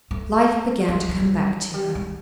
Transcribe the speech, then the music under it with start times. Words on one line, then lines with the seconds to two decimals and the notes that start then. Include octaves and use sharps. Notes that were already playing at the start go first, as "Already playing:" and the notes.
Life began to come back to her.
0.11 A3
0.88 G3
0.92 G#3
1.09 G#3
1.20 G3
1.47 F#3
1.74 G3
1.95 G#3